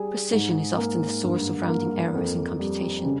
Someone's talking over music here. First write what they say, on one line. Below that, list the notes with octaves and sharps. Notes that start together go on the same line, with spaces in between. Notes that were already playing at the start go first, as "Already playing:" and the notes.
Precision is often the source of rounding errors in computation.
Already playing: G3 G#4
G#2
A#3
G2
A#3
F2
G3
C#3